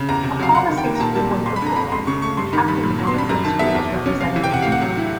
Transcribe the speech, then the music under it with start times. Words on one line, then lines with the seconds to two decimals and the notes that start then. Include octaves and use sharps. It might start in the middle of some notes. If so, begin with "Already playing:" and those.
A promising schoolboy footballer, he captained the Queensland schools' representative team.
Already playing: C#3
0.09 E2 A#5
0.24 C3
0.39 F#3 F5
0.54 C3 F#5
0.70 D#3
0.77 G5
0.85 A#3
0.95 A#5
1.00 A#2 A5
1.15 G3 A5
1.31 A#2
1.46 F2 C6
1.56 B5
1.62 D3 A#5
1.76 F2 B5
1.92 C#2 C6
2.07 C#3 C#6
2.22 A3 C#6
2.37 G2 C6
2.53 D#3 B5
2.68 G2 B5
2.83 A#2
2.99 F#3
3.07 C6
3.14 D4 B5
3.29 F#2 A#5
3.45 D#3 A5
3.59 B3 E5
3.75 E2
3.90 B2
4.06 C#4
4.21 C3 F5
4.36 E3
4.44 G5
4.51 C3 F#5
4.62 A2 F5
4.72 F#5
4.82 F#3
4.97 E4